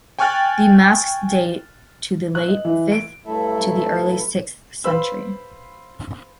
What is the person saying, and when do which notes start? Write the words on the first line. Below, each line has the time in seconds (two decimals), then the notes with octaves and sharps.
The masks date to the late fifth to the early sixth century.
0.19 G5 G#5 C#6 F6 F#6 A6
2.35 F#6
2.48 D#5
2.65 E3
2.92 D7
3.26 G2 F#3 A3 E4 A4 E5
4.84 B4 C5 F5 B5 E6